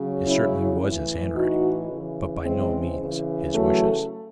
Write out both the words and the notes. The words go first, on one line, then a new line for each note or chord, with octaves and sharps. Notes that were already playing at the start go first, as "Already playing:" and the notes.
It certainly was his handwriting, but by no means his wishes.
Already playing: C#3 F#3
C#4 E4
A2 E3
D#4 F#4
C#3 E3
G#3 C4
C#3 E3
F#3 A3